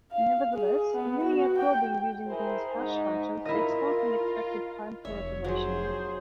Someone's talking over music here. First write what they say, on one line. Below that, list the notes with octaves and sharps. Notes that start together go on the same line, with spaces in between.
Nevertheless, linear probing using these hash functions takes constant expected time per operation.
F5
G#4
B3
F#4
G5
E4 G#4 A#4 C5
G#2 D#4
E4 F4 A#4 D#5
F1 C#5 E5
F#3 G#4 C5